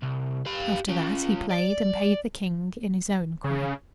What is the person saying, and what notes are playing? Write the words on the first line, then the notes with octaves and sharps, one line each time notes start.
After that, he played and paid the king in his own coin.
C2
G4 F5
C#4 F4
D5
C#3